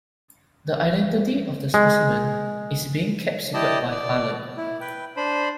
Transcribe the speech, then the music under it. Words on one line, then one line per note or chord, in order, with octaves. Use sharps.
The identity of the specimen is being kept secret by Harlan.
G#3
E4 G4 D5 D#5 A5
D5
E4
B4 G5
D4 C5 B5